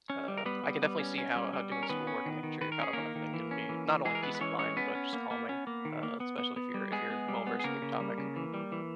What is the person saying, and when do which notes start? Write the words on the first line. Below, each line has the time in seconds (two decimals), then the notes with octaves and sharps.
uh, I can definitely see how how doing schoolwork and making sure you're caught up on everything can be, not only peace of mind, but just calming, uh, especially if you're if you're well-versed in your topic.
0.10 C#4
0.28 G3
0.38 A#4
0.45 G3 B3 B4
0.64 G3
0.82 G3
0.99 C#4
1.18 C#4
1.36 G3
1.53 G3
1.72 C#4
1.83 A#4
1.89 D#3 B3 B4
2.07 C#4
2.25 D#3
2.43 D#3
2.61 D#3 B4
2.72 A#4
2.79 C#4 G#4
2.93 D#3 A#3 A#4
3.15 D#3
3.33 E3
3.51 C#4
3.69 E3
3.87 E3
4.05 E3 G#3 G#4
4.15 A#4
4.23 G#3 B3 B4
4.35 B4
4.41 E3 C#4 C#5
4.58 G#3 C#4 C#5
4.76 B3 C#4 B4
4.95 C#4
5.13 A#3
5.31 A#3
5.49 C#4
5.67 A#3
5.85 D#3
6.03 A#3
6.20 B3
6.38 B3
6.56 B3
6.74 G3
6.92 G#3 B3 G#4
7.10 B3
7.28 G3
7.47 B3
7.59 G#4
7.64 C#3 A#3 A#4
7.82 C#3
8.00 G3
8.18 C#3
8.36 E3
8.54 G3
8.72 E3